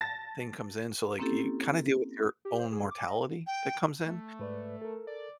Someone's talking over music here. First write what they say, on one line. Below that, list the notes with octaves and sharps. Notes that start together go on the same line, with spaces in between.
thing comes in, so, like, you kinda deal with your own mortality that comes in,
A5 A6 A#6
A#3 C4 C#4 E4 G4 A4
G4
C5
G#4
D6
D#5
G5
A3
G#2 B4 D5
A4 A#4
D5